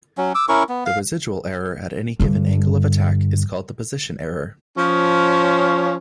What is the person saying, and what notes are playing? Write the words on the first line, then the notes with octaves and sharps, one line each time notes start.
The residual error at any given angle of attack is called the position error.
F#3 C#4
D6 E6
C#4 E4 A#4 C#6
B3
F5
G2 D3
F3 C#4